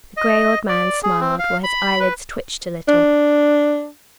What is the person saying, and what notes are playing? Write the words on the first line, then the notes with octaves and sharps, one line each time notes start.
The grey old man smiled, while his eyelids twitched a little.
D#5
D5
G#4
C4
F5
B5
B4
D4